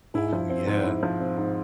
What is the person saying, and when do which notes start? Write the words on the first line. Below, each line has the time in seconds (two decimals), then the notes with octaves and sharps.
Ooh, yeah.
0.15 E4
0.33 F3
0.50 C4
0.67 G#2
0.84 E4
1.03 F3
1.20 C4
1.38 G#2